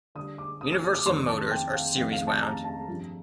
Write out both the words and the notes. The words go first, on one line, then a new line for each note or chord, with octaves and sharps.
Universal motors are series wound.
D3 G3 D4 D#6
D6
D#6
F6
D#6
D6
F2 D#3 G3 C4 C6
A5
G5
F5
F2 D#3 A3 F5
F5
A5
A#5
A5
G2 F3 C4 F4